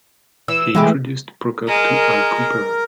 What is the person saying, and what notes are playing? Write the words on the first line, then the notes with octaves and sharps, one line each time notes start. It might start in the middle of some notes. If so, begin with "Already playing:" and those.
He introduced Prokop to Al Kooper.
E3 E6
E3 G#3 A3 G4
G#3 A#4